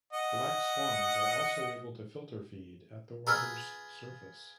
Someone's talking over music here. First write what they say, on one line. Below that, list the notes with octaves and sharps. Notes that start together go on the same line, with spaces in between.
Black swans are also able to filter feed at the water's surface.
D#5 F#5
F4 G#4 B4 A#5 E6 F6